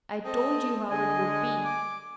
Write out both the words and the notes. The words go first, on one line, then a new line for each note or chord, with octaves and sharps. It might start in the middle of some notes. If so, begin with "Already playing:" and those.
I told you how it would be.
C4 A4 D#5
D3 G#3 D#5 G#5
D6